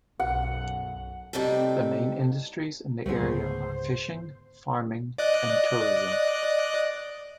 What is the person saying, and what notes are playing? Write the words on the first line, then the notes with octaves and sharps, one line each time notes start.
The main industries in the area are fishing, farming, and tourism.
B1 F#2 F#5
A2 C3 G3 C4 D#4 A4
C#2 G#2 D3 A3 B3 G#4 C5
D5 D#5 F#6